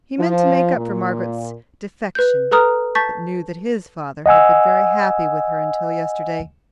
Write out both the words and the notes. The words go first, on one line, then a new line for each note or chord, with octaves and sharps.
He meant to make up for Margaret's defection, but knew that his father had been very happy with her until yesterday.
F3
A#2
B4 G6
A4 B4 A#5 D#6 F6
A5 C#6 G6 A6 B6
D#5 F#5 G#5 E6